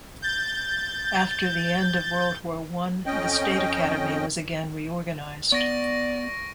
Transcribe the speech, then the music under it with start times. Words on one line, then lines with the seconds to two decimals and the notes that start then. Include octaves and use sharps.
After the end of World War One, the State Academy was again reorganized.
0.22 G6 A6
3.06 F2 C#4 D#5 G5
5.52 B3 D5 C#6 A#6 D7